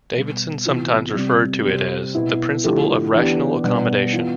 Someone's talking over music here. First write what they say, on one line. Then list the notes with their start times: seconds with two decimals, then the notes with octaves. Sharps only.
Davidson sometimes referred to it as "the principle of rational accommodation".
0.15 B2 G3 B3
0.65 C3 E3 B3 F4
1.15 C3 G3 C4
1.65 C3 G3 C4 G4
2.15 B2 B3 E4
2.64 D3 F3 A3 E4 G4
3.14 E3 B3 D4 G4
3.64 B2 G3 B3 D4
4.13 E3 B3 F4